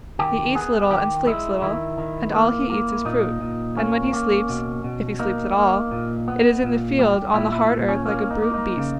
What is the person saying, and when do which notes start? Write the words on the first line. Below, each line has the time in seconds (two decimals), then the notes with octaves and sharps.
He eats little and sleeps little, and all he eats is fruit, and when he sleeps, if he sleeps at all, it is in the field on the hard earth like a brute beast.
0.19 D#3 G4
0.55 B3 G#4
0.90 D#3 G4
1.27 G#3 E4
1.62 D#3 E4
1.98 D#3
2.34 A#3
2.70 A#3
3.05 A#2 D#4
3.41 A#2
3.77 A#3 C#4
4.13 A#3
4.49 B2
4.84 B2
5.19 A#3 D#4
5.56 A#3
5.91 A#2
6.28 B3
6.63 A#2
6.99 G3
7.34 A#2 E4
7.52 E4
7.70 A#2
7.89 C#4
8.06 A#3 C#4
8.31 D#4
8.42 A#3
8.54 D#4
8.77 C#3